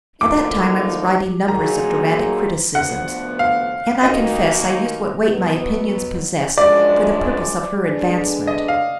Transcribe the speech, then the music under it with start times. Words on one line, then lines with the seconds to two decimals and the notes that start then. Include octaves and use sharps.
At that time I was writing numbers of dramatic criticisms, and I confess I used what weight my opinions possessed for the purpose of her advancement.
0.21 D2 D3 F3 A#3 D#4 D6
1.48 A#2 F#3 A#3 D#4 G#4 A#5
2.75 D2 D3 F3 B3 F#5
3.39 F5
4.03 D#2 D#3 A#3 D#4 F#4 D#5
5.30 B2 F#3 B3
6.57 F#2 F3 G#3 D4 D5
7.84 D3 G#3 B3 D4
8.47 D#5
8.68 F5